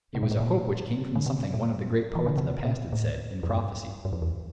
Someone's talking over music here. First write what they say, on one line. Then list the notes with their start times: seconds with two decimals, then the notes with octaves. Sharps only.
It was a hope which came from something one of the great poets of the past had said, in prophecy.
0.15 C3
0.23 A#2
0.31 A2
0.40 A#2
1.15 D3
1.26 C3
1.54 A#2
2.15 E3
2.26 D3
2.37 C3
2.65 A#2
2.92 A2
3.43 F2
3.49 G2
4.05 G2
4.13 F2
4.22 E2